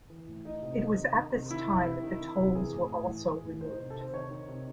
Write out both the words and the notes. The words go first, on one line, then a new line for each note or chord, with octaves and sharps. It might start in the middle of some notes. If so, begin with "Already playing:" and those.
It was at this time that the tolls were also removed.
E3
A2
D#3 D#4
C3
C3
D#3
D#3
C3
D#3 E4
C3
C3
D#3
D#3
C3
E3 G#4
A2
A2
E3
E3
A2
D#3 C5
C3
A4
C3
C5
D#3 C#5
D#3
C3